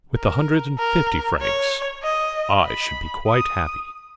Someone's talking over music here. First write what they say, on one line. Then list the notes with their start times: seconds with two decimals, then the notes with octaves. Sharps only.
"With a hundred and fifty francs I should be quite happy."
0.17 A#4
0.78 A#4
1.41 C#5
2.03 D#5
2.66 B5
3.27 D#6